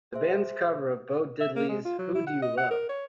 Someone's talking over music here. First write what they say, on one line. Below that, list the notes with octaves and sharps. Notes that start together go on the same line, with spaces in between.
The band's cover of Bo Diddley's Who Do You Love?
G#4 C5 E5
E5
A#3
G#3
F4
F#3
E4
F#5
D#5
F#5
A#4
C#5